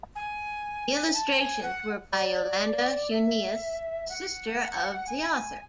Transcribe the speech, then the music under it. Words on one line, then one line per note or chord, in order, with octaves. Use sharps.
The illustrations were by Yolanda Huneeus, a sister of the author.
G#5
A5
G#5
F#5
D5
E5
F#5
G#5
G#5